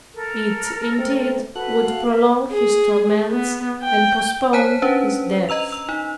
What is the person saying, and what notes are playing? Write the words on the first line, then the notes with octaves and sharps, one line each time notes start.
It indeed would prolong his torments, and postpone his death.
A4 A#4
A3 C4
F#4 A4 B4 F#6
F5
B4 E5
G#4
B3
G5
C5 C#5 G#5 A5 F#6 B6
C#4 D4 B4 C5
D#5 A#5 E6 F7
E6
D#4